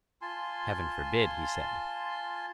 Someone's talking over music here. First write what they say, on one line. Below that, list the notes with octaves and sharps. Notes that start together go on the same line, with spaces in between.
Heaven forbid, he said.
F4 G#5 A5 C6